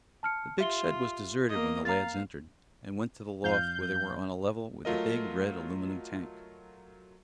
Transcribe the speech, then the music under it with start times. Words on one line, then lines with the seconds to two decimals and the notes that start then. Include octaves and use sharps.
The big shed was deserted when the lads entered, and went to the loft where they were on a level with the big, red aluminum tank.
0.23 A5 F6 C#7
0.59 F4 G4 E5 G7
1.48 A#3 D#5
1.85 F5 A#5 A6
3.44 F2 F5 G6
4.85 F#3 A3 F4 A#4 D#5